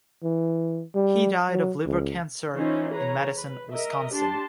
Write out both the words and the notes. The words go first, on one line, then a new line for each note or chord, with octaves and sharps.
He died of liver cancer in Madison, Wisconsin.
E3
G3
F#3
C#2
E3 C#4 D#4 F4 C5
G#4 B4 C#5 A#5
B4
A#4 D#5 E5
D4 G4 A5 C6